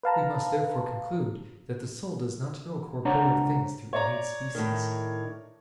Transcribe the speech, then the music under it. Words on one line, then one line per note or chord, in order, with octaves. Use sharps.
We must therefore conclude that the soul does not know corporeal things through innate species.
B4 F5 A5 A#5
C#2 D4 C5 C#5 F#5 A#5
C#5 D5 A#5
A2 D#3